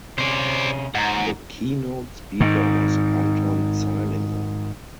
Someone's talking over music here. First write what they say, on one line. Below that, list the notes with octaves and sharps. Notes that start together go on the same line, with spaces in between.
The keynote speaker was Anton Zeilinger.
C3 C#4 C5 D5
G#2 F#5 A#5
G#2 D#3